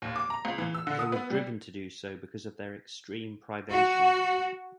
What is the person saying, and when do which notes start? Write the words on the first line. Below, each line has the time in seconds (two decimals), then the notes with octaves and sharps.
They were driven to do so because of their extreme privation.
0.02 D#2
0.16 D6
0.30 A#5
0.45 C#2
0.58 E3
0.75 E6
0.87 D3
0.99 D#6
1.12 B3
1.30 G3
3.70 F#4